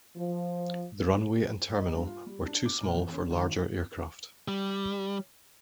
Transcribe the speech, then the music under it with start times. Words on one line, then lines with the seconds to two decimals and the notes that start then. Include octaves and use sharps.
The runway and terminal were too small for larger aircraft.
0.16 F3
1.76 D#5
1.95 G2
2.07 F4
2.26 G3
2.46 D4
2.65 D6
2.81 A#2
2.94 E2
3.12 C#4
3.30 G#1
4.48 G3